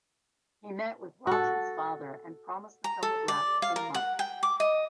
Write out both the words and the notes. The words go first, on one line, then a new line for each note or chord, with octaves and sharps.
He met with Rati's father and promised the film would wrap in a month.
F#4 A4
A#5
A4
D5
F5
A#4
F#5
G5
D6
D#5